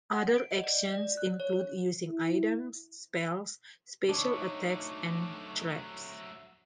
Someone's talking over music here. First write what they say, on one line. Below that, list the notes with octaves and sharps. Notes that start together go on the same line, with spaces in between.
Other actions include using items, spells, special attacks and traps.
F#5
D7
D#5
D5
D5
F#6
C#5
E4
D3 D4 D#4 C#5
F#3 A3